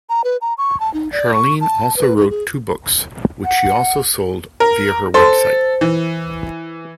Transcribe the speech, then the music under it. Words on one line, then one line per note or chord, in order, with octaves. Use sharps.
Charlene also wrote two books, which she also sold via her website.
A#5
B4
A#5
C#6
A5
D#4
D5
C#6
A5
B4
D#4
G#4
F#5
A#4
A4 C5
E3